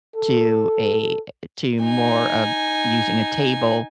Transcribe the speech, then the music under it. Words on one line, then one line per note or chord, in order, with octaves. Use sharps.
to a, eh, to more of using a table
A4
D#4 G#5